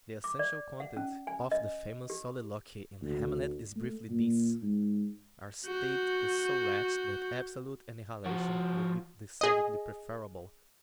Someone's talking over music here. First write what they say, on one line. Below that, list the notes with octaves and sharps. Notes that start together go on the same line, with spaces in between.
The essential content of the famous soliloquy in "Hamlet" is briefly this: Our state is so wretched that absolute annihilation would be decidedly preferable.
D6
D5
F#5
C#4
G#5
D#5
G4
D2
A3
A#2
G#2
F#4 G6
F3 F#4
G#4 D#5